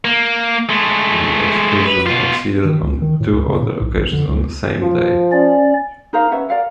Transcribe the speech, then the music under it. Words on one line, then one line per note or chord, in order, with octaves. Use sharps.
The excursion exceeded on two other occasions on the same day.
A#3
G#3 A3
B4
B2 F4
D#3
C#2
D#3
A2
C#2
C#3
A2
B1
A#1
D3
C#2
F3
C#4 D5
D#4 A#4 C5 F5
C#4 B4 E5 F#5
A#4 D5 F5 F#5